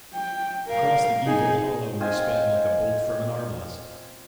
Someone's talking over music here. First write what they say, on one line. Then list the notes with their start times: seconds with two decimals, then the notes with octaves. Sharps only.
Across the evil hollow we sped like a bolt from an arblast.
0.13 G5
0.67 A#4 F5
1.26 D#4 G#4
2.00 C4 F4 D#5 G#5